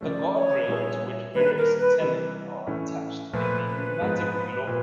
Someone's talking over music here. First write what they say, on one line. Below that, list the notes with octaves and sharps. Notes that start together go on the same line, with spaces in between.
The guard rail, to which various antennae are attached, can be pneumatically lowered.
C#3 F3 A3 D5
C#5
A#2 G3 B3 E4 G#4
D#3 G3 A#3 D4 B4
A#4
B4
C3 E3 G3
A2 E3 A3 C#4
A#2 F3 A3 B4
B4
G#2 F3 G#3 B3
A#2